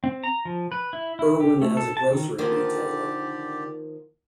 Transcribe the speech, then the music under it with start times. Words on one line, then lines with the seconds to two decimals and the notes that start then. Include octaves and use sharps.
Irwin as a grocery retailer.
0.04 C4
0.24 A#5
0.45 F3
0.72 B4
0.93 E4
1.19 E4
1.40 G4
1.62 A3
1.77 A4
1.97 A5
2.13 D#3
2.38 D3 D#3 F3 A#3 G4 D5